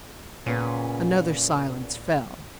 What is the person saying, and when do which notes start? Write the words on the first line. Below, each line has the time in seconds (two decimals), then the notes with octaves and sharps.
Another silence fell.
0.46 A#2 C#3 B3 C#4